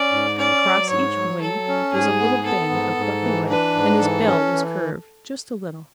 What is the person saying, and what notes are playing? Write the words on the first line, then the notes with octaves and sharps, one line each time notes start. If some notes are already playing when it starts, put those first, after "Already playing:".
Across each wing was a little band of buffy-white, and his bill was curved just a little.
Already playing: C#4 D5
G#2
C#4 D5
F#3
G#2 C#5
F#3
F#3 A4
C#4
G#2 G#4
B3
B3 A4
G#2
G#2
E3
D4 B4
G#2
E3 A4
C#4
E3